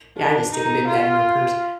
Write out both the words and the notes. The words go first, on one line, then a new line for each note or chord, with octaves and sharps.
Yeah, I just stick a big bag in my purse,
D4
D#4
F4